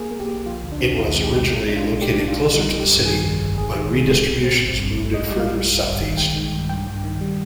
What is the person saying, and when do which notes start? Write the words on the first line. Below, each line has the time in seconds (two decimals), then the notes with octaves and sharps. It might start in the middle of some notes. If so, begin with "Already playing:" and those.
It was originally located closer to the city, but redistributions moved it further south-east.
Already playing: A#3 G#4
0.11 A#3
0.20 G4
0.29 A#3
0.46 F3 F4
0.63 D2
0.72 D4
0.81 C4
0.98 D#2 F4
1.15 G#3
1.24 G4
1.33 G#3
1.50 G#3
1.67 D4
1.76 F4
1.84 G#3
2.02 D4 G4
2.19 D4
2.28 F4
2.37 D4
2.53 G3 D#4
2.71 G3
2.80 G4
2.89 G2
3.05 D#3 G#4
3.23 F2
3.40 G1
3.57 G#2 G#4
3.75 D#3
3.93 G#3
4.10 G#2 G4
4.27 A#1
4.44 C4
4.62 G1
4.79 G2
4.96 G2
5.13 G#2 D#5
5.31 G3
5.40 F5
5.48 G3
5.66 G2
5.83 G1
6.00 D#3
6.17 G#3 G5
6.35 D#3
6.52 G2
6.69 G2 G5
6.87 G2
7.04 D#3
7.21 G3